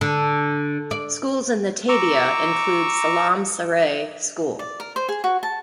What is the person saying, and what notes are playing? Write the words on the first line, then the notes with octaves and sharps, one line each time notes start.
Schools in the "tabia" include Selam Seret school.
D3
D5
A#5 C#6 D6 E6
D5
A#4
C5
G#4
F#4
A5